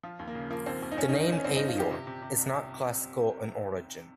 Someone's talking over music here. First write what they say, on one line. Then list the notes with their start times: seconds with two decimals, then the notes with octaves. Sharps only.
The name "Avior" is not classical in origin.
0.03 F3 F4
0.19 D#2
0.28 A#3
0.35 C#3
0.50 F3 A#3
0.66 D#2 C4
0.82 D#2
0.92 D#4
0.97 G2 C#4
1.09 D#4
1.13 D#3
1.21 D#4
1.29 D#3 C#4
1.44 G2 C4
1.56 G2 D#4
1.68 F4
1.75 D#3 G4
1.91 C3
2.07 C3
2.22 C3
2.38 C2
2.54 C3